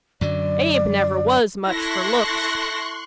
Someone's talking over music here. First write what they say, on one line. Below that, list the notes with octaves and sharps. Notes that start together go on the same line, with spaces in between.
Abe never was much fur looks.
F#2 D3 F#3 D5
E4 A4 C6 C#6 F#6 A#6